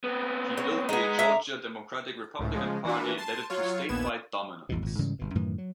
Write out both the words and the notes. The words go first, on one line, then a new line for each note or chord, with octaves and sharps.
He built the Georgia Democratic-Republican party and led it to statewide dominance.
B3 C4
F#3
G#3 B3 D#4
E5 A#5
G#1 C#2 A2
C#3 F3 G#3
E3 A#3 D4 F#4 B4
A5 C6
F#3 F4 C#5
A#1 D#2 B3 G#6 E7
A1 E2 G2 B2
G#1 A#2
G#2 C#3 E3 G3
G1 B2
F#2 A2 D#3 E3
F#3